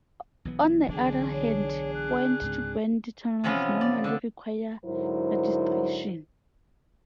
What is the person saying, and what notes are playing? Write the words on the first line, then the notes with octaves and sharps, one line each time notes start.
On the other hand, point-to-point tunnels normally require registration.
B1 E3 B3
D3 D4 G#4
C#5
F#6
C#2 G#2 C4
C3 E3 F3 B3 C#4
D5
D3
G#2 D3 F#3 E4 A#4 C5